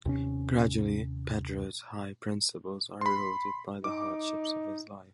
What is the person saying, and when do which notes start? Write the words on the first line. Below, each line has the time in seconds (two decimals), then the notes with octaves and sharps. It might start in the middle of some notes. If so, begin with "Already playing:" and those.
Gradually, Pedro's high principles are eroded by the hardships of his life.
0.06 D#2 C3 C#4
3.01 B5 C6
3.84 D#4 D6